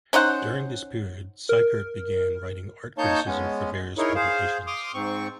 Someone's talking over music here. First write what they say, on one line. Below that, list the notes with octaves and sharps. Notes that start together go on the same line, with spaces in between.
During this period Sickert began writing art criticism for various publications.
C#4 D#4 C5 F#5
A#4
A#3 D#4 C#5 A5 G6
G#3 B3 C#4
D#4 E4 G#4 A#4 C#5
G#4 C5 F5
C6 D6 D#6 F6
G#2 C4 C#6